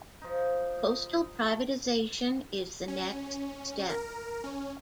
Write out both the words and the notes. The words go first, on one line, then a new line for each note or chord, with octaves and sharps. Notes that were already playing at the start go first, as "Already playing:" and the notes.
Postal privatization is the next step.
F3 D#4
C#4
A#4
C#4